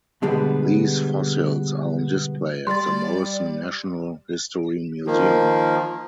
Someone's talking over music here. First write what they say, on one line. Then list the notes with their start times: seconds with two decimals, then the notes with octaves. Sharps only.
These fossils are on display at the Morrison Natural History Museum.
0.22 B2 D3 G3 G#3 B3
2.67 G3 D5 C6 A6
5.07 D#3 F3 A#3